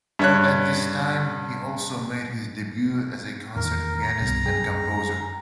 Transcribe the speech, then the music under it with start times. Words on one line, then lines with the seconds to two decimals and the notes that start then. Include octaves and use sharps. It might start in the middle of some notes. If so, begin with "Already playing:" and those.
At this time, he also made his debut as a concert pianist and composer.
0.19 G2 C#5 F#6
3.56 E2 A#2 D#3 A#4
4.02 A#5
4.20 C2 G2 B2
4.46 F#2 G#4 G5